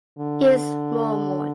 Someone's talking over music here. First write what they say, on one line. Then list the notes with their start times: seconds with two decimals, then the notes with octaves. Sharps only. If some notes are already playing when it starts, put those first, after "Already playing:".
He is Mormon.
0.19 D3